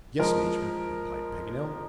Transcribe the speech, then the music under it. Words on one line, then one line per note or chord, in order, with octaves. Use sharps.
"Yes, Major," replied Paganel.
F3 G#3 A#4